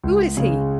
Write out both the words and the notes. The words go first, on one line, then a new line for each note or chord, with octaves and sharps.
Who is he?'
C#2
C#3 G#3